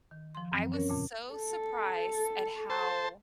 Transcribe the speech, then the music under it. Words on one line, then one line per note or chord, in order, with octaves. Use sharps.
I was so surprised at how
D#3
F3 C6
F#2 E3 F#3 C4
C#4 A#4 C#5
F2 A#2 C#3
A4
C5 A5